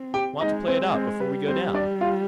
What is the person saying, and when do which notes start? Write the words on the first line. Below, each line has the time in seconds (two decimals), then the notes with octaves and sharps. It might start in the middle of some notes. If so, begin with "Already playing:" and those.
"Want to play it out, before we go down?"
Already playing: C4
0.14 G4 G5
0.40 G#3 D#4 D#5
0.67 C4 C5
0.81 G#3
0.94 C4 C5
1.20 G3 B4
1.48 C4 C5
1.74 D4 D5
2.01 F4 F5